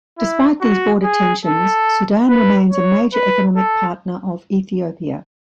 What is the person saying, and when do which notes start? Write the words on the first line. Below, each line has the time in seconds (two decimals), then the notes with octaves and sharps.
Despite these border tensions, Sudan remains a major economic partner of Ethiopia.
0.18 E4
0.61 F#4
1.03 G#4
1.45 A4
2.29 B4
2.72 C#5
3.14 B4
3.56 A4